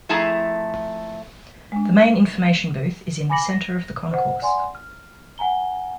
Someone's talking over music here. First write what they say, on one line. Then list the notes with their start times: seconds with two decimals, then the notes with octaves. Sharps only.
The main information booth is in the center of the concourse.
0.09 F2 A3 E4 G#4 A5 A#5
1.72 G#3 D4
3.30 G#5 B5 D6 A#6 C#7 F#7
3.50 A#6
4.11 C5 D#5 F#5
4.42 D5 F#5 G#5 C6
4.75 F6
5.38 F#5 G#5 A#5 G7